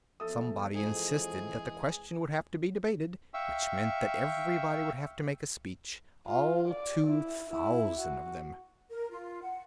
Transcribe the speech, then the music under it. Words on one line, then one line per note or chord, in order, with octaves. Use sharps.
Somebody insisted that the question would have to be debated, which meant that everybody would have to make a speech, all two thousand of them.
E2 F3 A3 A4 D#6
F2 E3 G#3 G#4
E5 F5 G5 C#6 E6
F4
D5
E4
E4
F#4
A#4
F4
F#5